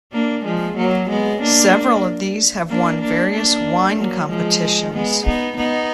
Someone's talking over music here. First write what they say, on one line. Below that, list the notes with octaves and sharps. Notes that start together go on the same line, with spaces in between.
Several of these have won various wine competitions.
A#3 D4
F3 G#3
F#3 A#3
G#3 B3
A#3 D4
A#3 D4
A#3 D4
A#3 D4
F#3 A#3
F3 G#3
G#3 B3
B3 D#4
B3 D#4